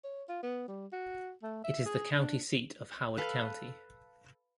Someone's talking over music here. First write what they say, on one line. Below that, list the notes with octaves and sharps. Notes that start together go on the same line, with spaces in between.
It is the county seat of Howard County.
C#5
F4
B3
G3
F#4
A3
E5
G#4
D4
A4 B4 F5